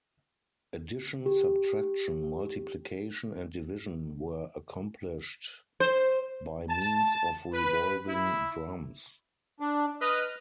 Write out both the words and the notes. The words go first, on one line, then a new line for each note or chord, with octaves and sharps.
Addition, subtraction, multiplication, and division were accomplished by means of revolving drums.
G4
C5
A5
B4
E4
D4
B4 D#5 F6